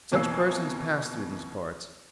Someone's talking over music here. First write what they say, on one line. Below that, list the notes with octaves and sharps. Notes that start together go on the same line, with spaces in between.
Such persons pass through these parts.
F2 B2 E3 A#3 E6 C7